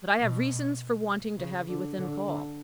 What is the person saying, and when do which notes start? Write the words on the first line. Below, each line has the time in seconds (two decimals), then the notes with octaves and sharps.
But I have reasons for wanting to have you within call.
0.20 B2
1.38 C#3
1.68 D3
1.98 D3
2.27 D3